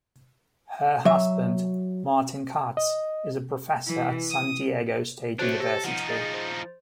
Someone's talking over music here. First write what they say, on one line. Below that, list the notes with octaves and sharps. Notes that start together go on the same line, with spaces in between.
Her husband, Martin Katz, is a professor at San Diego State University.
F#3 E5
D#5
E3
D#6
A3 D4 F#4 C5 C#5 F#6
G4 A4 C5 E6 A#6
F3 D#4 F#5
G#4 D#5 A6
C5